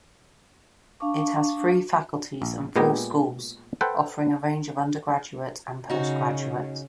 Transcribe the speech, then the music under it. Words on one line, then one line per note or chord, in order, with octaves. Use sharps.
It has three faculties and four schools, offering a range of undergraduate and postgraduate.
D4 F5 A5 C#6 D6
A#1
A#2 G#3 B3 G4 G#4 A#5
A4 B4 C5 F#5 G5
C#3 D#4 F#4